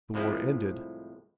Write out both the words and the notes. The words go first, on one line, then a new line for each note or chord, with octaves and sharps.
The war ended.
C2 A2 F3 G#3 C4 E4